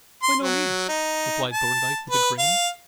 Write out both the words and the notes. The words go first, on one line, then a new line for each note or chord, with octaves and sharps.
"By no means," replied Thorndyke, with a grin.
C6
F#3
D#4
A5
B4
F5